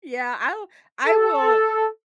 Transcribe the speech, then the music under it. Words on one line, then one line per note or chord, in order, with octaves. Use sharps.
Yeah, I will I will
A4